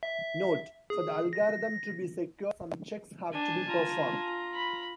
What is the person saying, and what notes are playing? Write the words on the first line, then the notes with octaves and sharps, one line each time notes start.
Note: for the algorithm to be secure some checks have to be performed.
E5
G#4
A#6
D4 G#5 A5
F4 A#5
B5